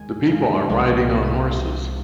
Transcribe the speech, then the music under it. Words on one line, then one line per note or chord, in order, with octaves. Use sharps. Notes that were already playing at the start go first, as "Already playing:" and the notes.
The people are riding on horses.
Already playing: D#2 D#3 G#3 G#5
D#2 D#3 G#3 F5
D#5
F5
C2 C3 F3 G#3
C2 C3 F3 G#3